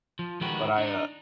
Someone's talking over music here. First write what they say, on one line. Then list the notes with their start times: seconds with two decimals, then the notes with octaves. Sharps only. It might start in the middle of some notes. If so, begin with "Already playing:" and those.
but I, uh,
0.19 F3
0.41 D#3 G#3 D#4 F#4 G4 B4
0.78 D4 D#4